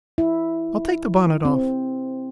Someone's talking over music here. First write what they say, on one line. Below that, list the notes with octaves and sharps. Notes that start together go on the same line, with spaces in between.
"I'll take the bonnet off."
E4
C4